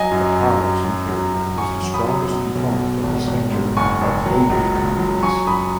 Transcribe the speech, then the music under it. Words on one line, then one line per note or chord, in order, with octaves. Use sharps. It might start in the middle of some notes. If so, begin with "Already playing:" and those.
The pars inferior is the strongest component of the sphincter of Oddi complex.
Already playing: F#3 D#5 G#5
F#2
F#2
F#2
F#2
F#3
F#2
F#3 G#5 C#6
F#3
B5 D#6
F#2
B2
B1
B2
G#1
G#1
G#2
F#1 G#5 C#6
F#1
F#3
C#2
C#2
F#3
F#3 G#5 C#6
F#2 B5 D#6